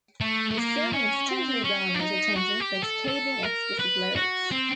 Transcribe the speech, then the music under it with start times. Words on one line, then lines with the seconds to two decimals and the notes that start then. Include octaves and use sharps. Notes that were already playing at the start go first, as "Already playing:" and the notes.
The song instantly garnered attention for its scathing, explicit lyrics.
0.21 A3
0.51 A3
0.57 A#3
0.93 C#4
1.29 C4
1.64 C#4
1.94 D4
2.00 D#4
2.36 F#4
2.60 G4
2.84 A4
3.08 A4
3.44 A#4
3.80 B4
4.16 F#4
4.51 C4